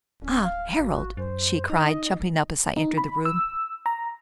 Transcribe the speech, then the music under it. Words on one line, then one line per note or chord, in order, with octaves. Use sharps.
"Ah, Harold!" she cried, jumping up as I entered the room.
D1 C#4
F5
G#1 F#4
F#2 C5
D#4 D#5
D#4
B5
E6
A#5